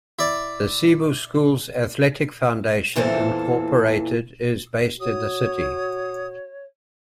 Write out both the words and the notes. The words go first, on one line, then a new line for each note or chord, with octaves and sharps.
The Cebu Schools Athletic Foundation, Incorporated is based in the city.
E4 D5
E2 A#2 E3 A4 C5
F#4 C#5 D#6